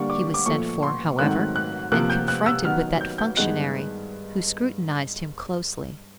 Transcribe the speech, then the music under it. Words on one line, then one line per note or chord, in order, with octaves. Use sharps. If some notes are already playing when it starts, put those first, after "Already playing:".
He was sent for, however, and confronted with that functionary, who scrutinized him closely.
Already playing: D3 G3 A#3 D4 C#6
D6
D6
A#2 F3 A3 C#6
C6
G#2 D#3 F#3 A3 C4 F#6
F#6
C3 F3 A#3 F#6
G6
F#6
E6
D#3 F#3 B3 F6
G6
G6
G2 D#3 G#3 B3 D#4 F#6